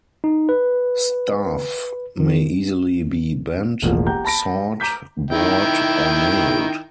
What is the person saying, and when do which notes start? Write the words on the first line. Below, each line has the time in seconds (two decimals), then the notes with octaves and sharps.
Staff may easily be bent, sawed, bored, or nailed.
0.24 D#4
0.49 B4
2.20 D#3
3.82 E1 A1 F3 A#3
4.06 G4 F#5 A#5 G6
4.25 A5 B5 A#6 D7
4.80 A#5 D6 G6 B6
5.31 D#3 E4 G5